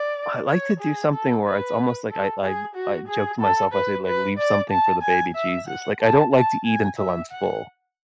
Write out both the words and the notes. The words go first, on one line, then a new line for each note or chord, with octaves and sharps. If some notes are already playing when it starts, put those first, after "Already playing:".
I like to do something where it's almost like I I I joke to myself, I said, like, "Leave something for the baby Jesus." Like, I don't like to eat until I'm full.
Already playing: D5
C#5
G#4
A4
B4
A4
G#4
F#4
G#4
A4
B4
B4
D5
A5
G#5
E5
F#5
A5
A5
G#5
E5
F#5